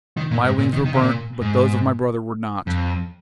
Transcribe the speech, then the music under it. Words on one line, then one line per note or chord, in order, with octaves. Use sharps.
My wings were burnt, but those of my brother were not....
D#3
A#2
G#2
A#2
D#3
D#3
C#3
A#2
G#2
F2